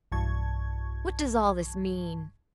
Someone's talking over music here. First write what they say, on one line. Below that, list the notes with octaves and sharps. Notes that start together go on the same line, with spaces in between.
"What does all this mean?"
B1 G2 E3 A5 C#6 G#6